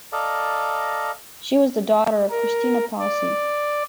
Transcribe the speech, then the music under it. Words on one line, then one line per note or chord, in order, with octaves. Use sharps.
She was the daughter of and Christina Posse.
A4 D5 D#5 F5 A#5
A#4
D5